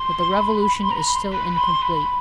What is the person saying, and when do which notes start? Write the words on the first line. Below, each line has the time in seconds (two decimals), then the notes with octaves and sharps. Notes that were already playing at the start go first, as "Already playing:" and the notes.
But the revolution is still incomplete.
Already playing: C6
0.33 B5
0.83 C6
0.91 A#5
0.95 B5
1.07 C6
1.32 B5
1.57 C6
1.82 B5